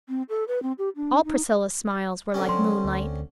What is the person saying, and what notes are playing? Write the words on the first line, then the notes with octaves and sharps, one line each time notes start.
All Priscilla's smiles were like moonlight.
C4
A4
B4
C4
G4
D4
D#4
D3 C4 C#4
F#3 C6
D2